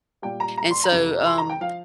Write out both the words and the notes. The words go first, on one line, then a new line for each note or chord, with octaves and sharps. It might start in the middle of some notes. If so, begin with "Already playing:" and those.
And so, um,
A#2 G3 G5
A#5
A#5
C6
A#5
F2 C3 F3
C6
A#5
G5
F3 F5